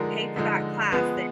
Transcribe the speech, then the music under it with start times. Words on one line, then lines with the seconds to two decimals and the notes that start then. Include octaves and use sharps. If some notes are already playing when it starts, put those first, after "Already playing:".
pay for that class and
Already playing: D3 F3 G#3 D#4 A#4
0.36 D3 F3 G#3 D#4
0.92 F3 G#3 B3 B4